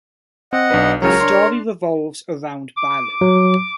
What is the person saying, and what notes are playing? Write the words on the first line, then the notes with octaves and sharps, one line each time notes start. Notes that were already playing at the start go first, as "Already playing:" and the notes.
The story revolves around Balu.
C4 D#5 F#5
B1 D4 B4
C#2 C#3 F#3 A#4 C#5
D4 C6
D6
F#3